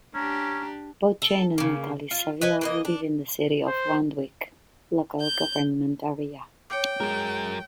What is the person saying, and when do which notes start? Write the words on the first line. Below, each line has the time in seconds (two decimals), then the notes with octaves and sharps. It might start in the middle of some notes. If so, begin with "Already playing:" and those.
Both Jane and Natalie Saville live in the City of Randwick Local Government Area.
0.14 C#4 D4 G4 A#5
1.22 A4
1.58 C#3 A#3
2.11 F4
2.41 B4 D#5 G#5
2.61 E3 A#3 D#5
2.85 D4
3.67 C5
5.20 G6
6.70 C#5 G5 D6
7.00 F#3 G#3 A#4